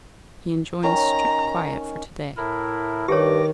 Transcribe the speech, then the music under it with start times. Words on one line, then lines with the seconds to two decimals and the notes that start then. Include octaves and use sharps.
He enjoins strict quiet for to-day.
0.83 D#3 C#4 A#5
2.37 A2 E4 A#4
3.08 G2 D#3 G4 G#4 C#5 D6 A#6